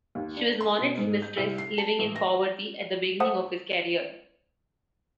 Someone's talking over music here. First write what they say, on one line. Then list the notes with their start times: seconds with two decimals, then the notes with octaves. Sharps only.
She was Monet's mistress, living in poverty at the beginning of his career.
0.15 D#2
0.37 D4
0.61 C6
0.79 B2
0.98 G#2
1.22 G6
1.37 C2
1.58 C7
1.78 A5
1.99 A1
2.16 A#6
3.20 C5 E5 F#5 A5 D#6